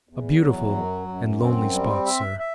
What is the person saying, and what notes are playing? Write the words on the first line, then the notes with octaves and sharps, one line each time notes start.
A beautiful and lonely spot, sir.
E2
F#3
F#2
F#2
C4
G3
E5
E5